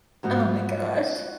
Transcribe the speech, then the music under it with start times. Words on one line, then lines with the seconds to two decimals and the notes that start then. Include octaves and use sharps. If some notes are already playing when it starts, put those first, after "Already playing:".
Oh my gosh.
0.23 G#2 F3 B3 F#4